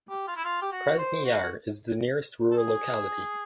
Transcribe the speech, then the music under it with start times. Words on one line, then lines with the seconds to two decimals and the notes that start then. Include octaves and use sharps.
Krasny Yar is the nearest rural locality.
0.09 G4
0.27 F4
0.36 E4
0.44 F4
0.62 G4
0.72 F#4
0.98 C5
1.25 F#4
2.51 A4
2.57 G#4